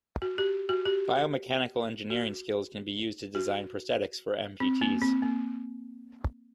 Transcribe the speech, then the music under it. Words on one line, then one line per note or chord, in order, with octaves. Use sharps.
Bio-mechanical engineering skills can be used to design prosthetics for amputees.
F#4
G4
F#4
G4
F#4
F#4
C4
A#3
C4
A#3